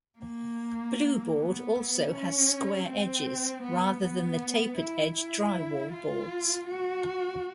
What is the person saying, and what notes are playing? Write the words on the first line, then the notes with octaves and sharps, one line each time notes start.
Blueboard also has square edges rather than the tapered-edge drywall boards.
A#3
B3
C#4
C4
B3
B3
E4
E4
F4
F#4